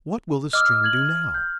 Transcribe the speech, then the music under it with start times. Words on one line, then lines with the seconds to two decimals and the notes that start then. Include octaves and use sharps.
What will the stream do now?
0.53 D#5 D6 E6 F6
0.84 G#6 F#7
1.34 G6